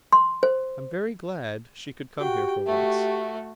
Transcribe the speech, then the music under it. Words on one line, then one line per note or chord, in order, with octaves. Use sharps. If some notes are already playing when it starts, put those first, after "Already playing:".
I'm very glad she could come here for once.
C6
C5
F#4 G4 G5
A3 F#4 E5